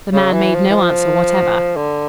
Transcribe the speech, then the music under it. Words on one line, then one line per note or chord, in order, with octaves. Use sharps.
The man made no answer whatever.
C#3
E3
F3
E3
F3
D3